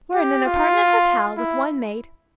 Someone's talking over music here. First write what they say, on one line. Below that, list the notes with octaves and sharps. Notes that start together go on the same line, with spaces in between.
We're in an apartment hotel, with one maid.
G4
F4
E4